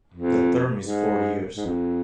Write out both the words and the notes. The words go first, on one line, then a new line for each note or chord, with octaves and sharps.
The term is four years.
F2
G#2
G#2
F2